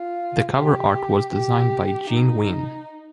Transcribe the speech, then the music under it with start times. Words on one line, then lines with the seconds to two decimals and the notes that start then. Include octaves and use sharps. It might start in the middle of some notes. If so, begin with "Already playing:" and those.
The cover art was designed by Gene Ween.
Already playing: F4
0.58 G4
1.33 G4
2.09 D#4